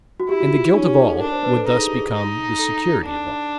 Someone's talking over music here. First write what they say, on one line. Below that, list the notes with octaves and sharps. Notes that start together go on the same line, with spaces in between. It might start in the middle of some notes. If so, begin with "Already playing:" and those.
And the guilt of all would thus become the security of all.
F#4
E4 G4
F#4
F4
C#4 D#4
G4
G#4
A4
D4 A#4
C5
B4
A4
D#4 A4
G#4
G4
G#4
D#4
A4
D4